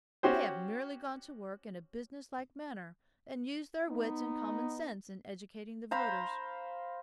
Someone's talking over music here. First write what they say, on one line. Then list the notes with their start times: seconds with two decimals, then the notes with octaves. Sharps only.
They have merely gone to work in a business-like manner and used their wits and common-sense in educating the voters.
0.23 C#4 F#4 G4 C5
3.89 B3 D#4
5.91 C5 F5 A#5 B5